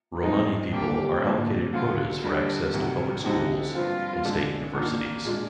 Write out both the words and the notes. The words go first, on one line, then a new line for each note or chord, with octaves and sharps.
Romani people are allocated quotas for access to public schools and state universities.
A#2 F3 G#3 C4 D#4
D3 G3 A#3 F4 G4
D3 F3 A#3
D2 D3 F3 F4
G2 D3 G3 D4
D2 C3 D#3
D3 G#3 C4 D#4 G4
G2 F3 C4 F4
D3 G#3 D4
D#2 D#3 A#3 D4 F4
A#2 G#3 D4 F4